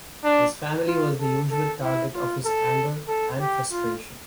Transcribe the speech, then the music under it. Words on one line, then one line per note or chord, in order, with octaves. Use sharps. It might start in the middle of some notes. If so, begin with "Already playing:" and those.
His family was the usual target of his anger and frustration.
D4
F4
A4
A4
E4
F4
A4
A4
G4
F4